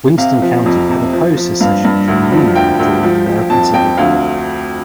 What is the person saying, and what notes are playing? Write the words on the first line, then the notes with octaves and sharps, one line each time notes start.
Winston County had opposed secession from the Union during the American Civil War.
C3 F5
F3
F2
C3
F3
F3
G2 F5
G2
D2
F3
D2 G5
D2
F3
F3
F2 A5
F2 G5
D2 F5